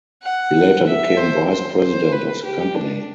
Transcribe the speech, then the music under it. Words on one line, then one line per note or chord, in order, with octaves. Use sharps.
He later became Vice President of the company.
F#5
E5
C5
C5
C5
B4
G4
D4